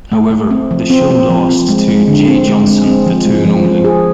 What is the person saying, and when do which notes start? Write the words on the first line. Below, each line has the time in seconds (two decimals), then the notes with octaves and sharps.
However, the show lost to "Jay Johnson: The Two and Only".
0.12 A3
0.31 A3
0.51 C4
0.71 F3
0.90 C4
1.10 C4
1.30 F3
1.49 C4
1.69 G#3
1.88 G#3
2.08 D3
2.28 C4
2.47 G#3
2.67 G#3
2.87 C4
3.07 F3
3.25 G#3
3.45 F3
3.65 F3
3.84 G#4